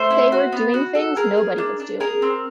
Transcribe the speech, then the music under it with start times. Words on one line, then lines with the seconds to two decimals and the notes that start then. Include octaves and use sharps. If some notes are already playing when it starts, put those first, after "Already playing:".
They were doing things nobody was doing.
Already playing: A3 C5
0.10 E4
0.32 F#4
0.52 B3
0.74 F#4
0.95 A4
1.16 G#4 A#4
1.37 G#4
1.58 D4
1.80 D4
2.00 G#4 A#4
2.22 C4